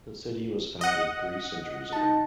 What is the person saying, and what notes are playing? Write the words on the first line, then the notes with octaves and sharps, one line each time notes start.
The city was founded three centuries ago.
D#5 F#5
D#4 A5